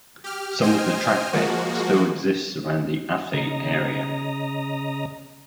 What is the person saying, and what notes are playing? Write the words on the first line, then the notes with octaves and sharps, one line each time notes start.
Some of the trackbed still exists around the Athy area.
G4 F6
C5 D#5 G5 G#5 F6
F3 G#3 A#3 F#4
C#3 D#5 A#5